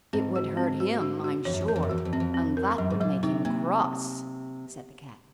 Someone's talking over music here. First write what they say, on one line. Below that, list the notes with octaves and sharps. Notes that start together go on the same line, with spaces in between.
"It would hurt him, I'm sure, and that would make him cross," said the cat.
G#2 C4
F#4
C4
F#4
F#4
F#4
F2 C#5
F#2
F2
F#2 A#4
F2
F#2
F2 F#4
F#2
F2
F#2 C4
F2
C4
A#4
F#2 F#3
G#2
A#2 F#3
C3 D#4
C3 A#3